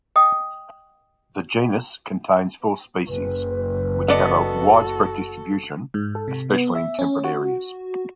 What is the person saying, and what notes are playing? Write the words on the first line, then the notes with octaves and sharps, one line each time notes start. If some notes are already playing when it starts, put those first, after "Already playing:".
The genus contains four species, which have a widespread distribution, especially in temperate areas.
D#5 G5 D#6
F#1 B4
B3 F#4 A4 D5 D#5
G#2
A4
C3
B3
E5
C#4
F#4